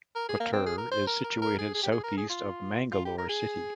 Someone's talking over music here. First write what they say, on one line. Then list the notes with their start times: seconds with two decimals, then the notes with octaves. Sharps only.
Puttur is situated south-east of Mangalore city.
0.15 A#4
0.28 G#4
0.40 A#3
0.53 C4
0.66 G#4
0.78 A#4
0.91 C5
1.07 A#4
1.24 A#4
1.42 A#4
1.58 G#4
1.74 G#4
1.83 G4
1.92 G#4
2.04 A#4
2.17 G#4
2.29 F4
2.92 F4
3.05 G4
3.18 A#4
3.29 G#4